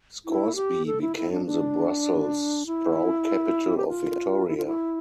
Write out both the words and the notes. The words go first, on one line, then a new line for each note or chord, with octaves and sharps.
Scoresby became the Brussels sprout capital of Victoria.
E4
G4
A4
E4
E4
D4
D4
E4
G4
F4
E4
F4
E4